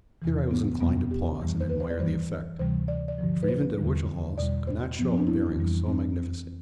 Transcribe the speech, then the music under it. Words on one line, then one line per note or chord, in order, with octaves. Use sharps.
Here I was inclined to pause, and admire the effect; for even De Whichehalse could not show a bearing so magnificent.
E2 C3 E3
B3
E2 B2 G3 B3
G4
F2 E3 G3
C5
B4
C5
D5
G2 E3 G3 C5
D2 C3 E3 G3 C5
D5
D5
G2 D3 F3
B4
C5
E2 D3 G3
E2 B2 G3 D5
C5
G2 F3 B3
C4
D4
E4
F2 E3 G3
C4